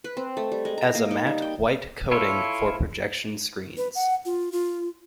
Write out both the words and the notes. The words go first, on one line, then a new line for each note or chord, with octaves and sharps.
As a matte white coating for projection screens.
B4
C4
A3
G3
G#3
A#5
A#3
D#4
G3
G5
E4 F4 A4 C#5
B4
F#5
F4
F4